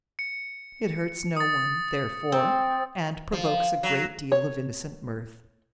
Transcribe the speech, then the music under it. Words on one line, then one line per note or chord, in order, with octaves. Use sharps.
It hurts no one, therefore, and provokes a great deal of innocent mirth.
C#7
D#6 A6
C4
F3
F#3
C#5